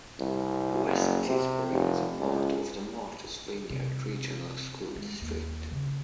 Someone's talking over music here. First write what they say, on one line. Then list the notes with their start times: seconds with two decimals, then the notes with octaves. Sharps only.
West Tisbury is a part of the Martha's Vineyard Regional School District.
0.20 C2
0.86 F#1
1.27 C3
1.72 F1
2.19 C#2
3.70 C3
4.96 G#3
5.21 D#2
5.71 C#3